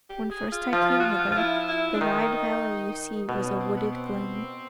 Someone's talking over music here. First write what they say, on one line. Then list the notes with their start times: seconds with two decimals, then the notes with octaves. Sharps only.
When first I came hither, the wide valley you see was a wooded glen.
0.10 G4
0.31 G#4
0.52 F4
0.73 F3 F4
1.00 F#4
1.05 F4
1.32 F4
1.37 E4
1.69 E4
1.94 D4
2.01 D#3 D#4
3.29 B2 D#4
3.45 C#4
3.60 C4
3.76 B3
3.92 C4